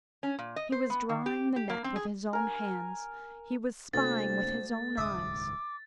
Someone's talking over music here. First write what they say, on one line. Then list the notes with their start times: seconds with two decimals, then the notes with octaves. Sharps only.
He was drawing the net with his own hands, he was spying with his own eyes.
0.23 C#4
0.39 A#2
0.56 D#5
0.72 C5
0.90 B3
1.09 D#3
1.26 G4
1.56 G4
1.70 A#3
1.84 C4
1.96 G#4
2.33 A#4 G#5
3.94 D2 C3 A#3 D4 C5 A6
4.97 D#1 C#2 G#2 E5 D6 D#6